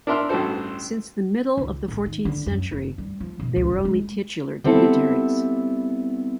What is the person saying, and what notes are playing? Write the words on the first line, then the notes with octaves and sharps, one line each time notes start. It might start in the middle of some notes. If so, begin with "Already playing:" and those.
Since the middle of the fourteenth century they were only titular dignitaries.
D4 A#4 E5 C6 F6
A1 G2 F#4 A4 C5
C#2
A1
D#3
D3
F#2
F#1
G3
F3
B2
C#2
F1
G#3
G3 B3 C4 E4 A4